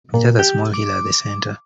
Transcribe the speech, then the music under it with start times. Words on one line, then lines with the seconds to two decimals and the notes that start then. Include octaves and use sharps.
It has a small hill at the center.
0.14 A#2
0.39 G4
0.74 D6